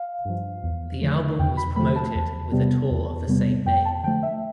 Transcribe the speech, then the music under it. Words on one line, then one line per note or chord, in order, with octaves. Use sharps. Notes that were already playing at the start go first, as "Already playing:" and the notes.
The album was promoted with a tour of the same name.
Already playing: F5
G2 F3
E2
D3 F3 A3
E2 G5
B5
D3 F3 A3 B5
A5
E2
C3 G3 B3
E2
C3 G3 B3
F2 G5
A5
D3 F3 A3 G5
E5